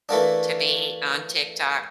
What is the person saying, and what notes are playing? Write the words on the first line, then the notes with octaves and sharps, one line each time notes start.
to be on TikTok.
E3 A3 A#3 D4